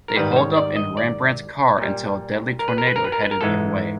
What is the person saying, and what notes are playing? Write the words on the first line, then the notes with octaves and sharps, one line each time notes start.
They holed up in Rembrandt's car until a deadly tornado headed their way.
A#4
G#2 D#3 G3 B4
C5
C#5
D5
D#5
D5
A#2 G3
A#4
B4
A#4
B4
A#4
B4
A#4
B4
A#4
G#2 E3 G#3 A4